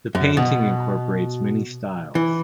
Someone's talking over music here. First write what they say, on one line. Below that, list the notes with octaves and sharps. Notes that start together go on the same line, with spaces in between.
The painting incorporates many styles.
F#2
B2
E3